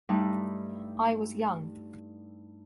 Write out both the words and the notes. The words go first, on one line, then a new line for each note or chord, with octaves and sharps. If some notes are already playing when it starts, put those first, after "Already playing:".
I was young.
G2 G3 A3 D#4 E4